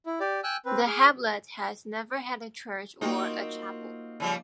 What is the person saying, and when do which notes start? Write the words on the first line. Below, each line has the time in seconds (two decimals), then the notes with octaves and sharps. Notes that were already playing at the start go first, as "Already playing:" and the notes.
The hamlet has never had a church or a chapel.
0.06 E4
0.20 G4 D5
0.44 G5 G#5 E6 F#6
0.65 C4 B4
0.86 G#4 F6
3.01 A#3 C4 D#4 F4 F#4
4.20 C#3 F3 G3